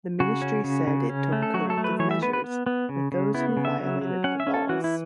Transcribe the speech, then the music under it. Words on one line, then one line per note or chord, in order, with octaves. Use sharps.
The ministry said it took "corrective measures" with those who violated the laws.
C#3 F#4
C#4
C#3
C#3
C#4
A3
A4
F#3 F#4
A4
A3
B4
E3 C#5
E5
B3 B4
B4
B3
B3
C#3
C#3
B3 E4
C#3
E5
F#3
F#3
C#4 F#5
E5
C#4
A4
E3 F#4
E4